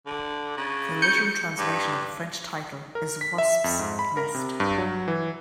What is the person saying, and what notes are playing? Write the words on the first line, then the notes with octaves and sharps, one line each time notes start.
The literal translation of the French title is Wasp's Nest.
D3
C#3
G6 C#7
G2
A#4
B6
E5
F2
G#2
B5
A#4
C3
G2
F#3
E3